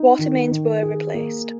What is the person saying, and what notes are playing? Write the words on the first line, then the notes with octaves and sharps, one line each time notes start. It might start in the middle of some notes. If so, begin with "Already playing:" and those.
Water mains were replaced.
Already playing: D#4
D#3
D#3
G#4
A#3